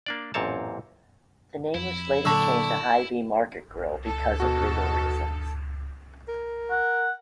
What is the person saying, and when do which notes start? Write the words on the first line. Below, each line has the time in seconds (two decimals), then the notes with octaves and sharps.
The name was later changed to Hy-Vee Market Grille because of legal reasons.
0.06 A#3 D4 D5
0.34 A1 F#2 A#2 C4 C#5 A5
1.75 F2 E4
2.25 A#2 D3 F#3 A5 C#6 E6
4.06 A4
4.40 B2 F#4
6.28 A#4
6.71 F#5